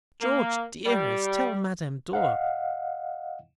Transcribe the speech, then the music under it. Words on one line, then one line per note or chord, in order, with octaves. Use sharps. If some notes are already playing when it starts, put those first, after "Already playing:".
George, dearest, tell Madame Dor.
A#3
G3
D#5 F5 F#5